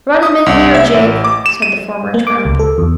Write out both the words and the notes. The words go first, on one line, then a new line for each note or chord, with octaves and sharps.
"Run him in here, Jake," said the former tramp.
D#6
C2
E5
A1
D6
E7
D#7
A#3
D6
C#2
A4
E2